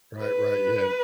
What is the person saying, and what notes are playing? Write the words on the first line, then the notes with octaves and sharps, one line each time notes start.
Right, right, yeah,
B4